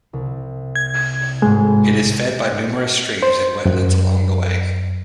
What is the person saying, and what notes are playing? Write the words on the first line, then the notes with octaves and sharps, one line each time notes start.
It is fed by numerous streams and wetlands along the way.
C2
G#6
G#1 A2 G#3
C5
F#2